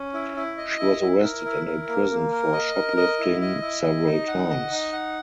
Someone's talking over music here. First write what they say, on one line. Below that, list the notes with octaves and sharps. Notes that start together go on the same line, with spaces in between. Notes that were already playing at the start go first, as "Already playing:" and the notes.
She was arrested and imprisoned for shoplifting several times.
Already playing: C#4
E4
E4
D#5
E4
E4
A#4
E4
A#4
A#3
A#3
A#4
D#5
A#4
D#5
E4
D#5
E4
D#5
D#4
F#5
D#5
D#4
F#5